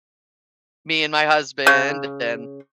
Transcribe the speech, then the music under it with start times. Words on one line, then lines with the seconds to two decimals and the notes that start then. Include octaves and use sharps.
me and my husband, and then,
1.67 C#3